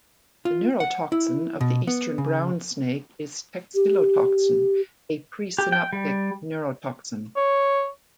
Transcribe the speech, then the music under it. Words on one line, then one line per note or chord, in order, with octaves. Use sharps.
The neurotoxin of the eastern brown snake is textilotoxin, a presynaptic neurotoxin.
F4
F#5
E4
B2
B3
C#3
G4
G4
G5
G3
C#5